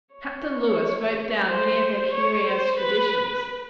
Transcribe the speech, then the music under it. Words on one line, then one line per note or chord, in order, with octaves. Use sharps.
Captain Lewis wrote down many of their curious traditions.
C#5
C5
C#5
C5
B4